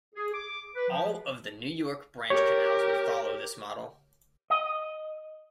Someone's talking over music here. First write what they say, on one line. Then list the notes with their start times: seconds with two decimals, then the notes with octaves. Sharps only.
All of the New York branch canals would follow this model.
0.15 G#4
0.33 D6
0.75 B4
0.89 F3
2.30 G4 A#4 C#5
4.50 D#5